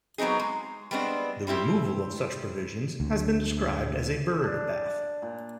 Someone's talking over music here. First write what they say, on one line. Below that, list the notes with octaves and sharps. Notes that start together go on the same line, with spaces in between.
The removal of such provisions has been described as a Byrd Bath.
F#3 B3 C4 D#4 G#4
G#3
G3 G#3 B3 C4 D4
G3 C4 E4 G4
D2
D4
A#2